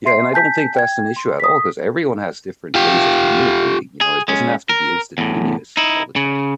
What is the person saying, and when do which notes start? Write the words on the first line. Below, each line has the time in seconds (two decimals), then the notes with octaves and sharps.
yeah, and I don't think that's an issue at all 'cause everyone has different ways of communicating, you know? It doesn't have to be instantaneous all the time.
0.05 E5 C6 C7
0.33 G#5 A5 G6 B6
0.75 G5 G#6
1.16 C6
1.40 D#6 B6
2.75 F4 G4
4.01 G#4
4.28 G#3 C#4
4.69 A#4
5.18 E2 A2
5.77 D#4 E4
6.16 C#3